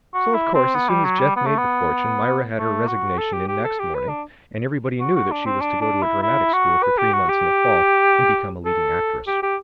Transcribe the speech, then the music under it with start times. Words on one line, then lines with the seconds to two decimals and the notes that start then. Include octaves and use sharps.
So, of course, as soon as Jeff made the fortune, Myra had her resignation in next morning and everybody knew that she was to go to a dramatic school for three months in the fall and become a leading actress.
0.14 F#4
0.34 E4
0.55 C4
0.75 B3
0.89 G3
1.05 F#3
1.20 G3
1.36 B3
1.47 A3
1.58 B3
2.58 A3
2.88 F#4
3.18 A4
3.33 G4
3.48 G4
3.64 A4
3.80 G4
3.94 B4
4.09 D4
5.00 F#4
5.16 F#4
5.32 D4
5.46 C4
5.61 D4
5.81 D4
6.03 E4
6.22 E4
6.53 F#4
6.83 B4
6.98 G4
7.13 F#4
7.29 G4
8.66 A4
9.27 G4
9.43 G4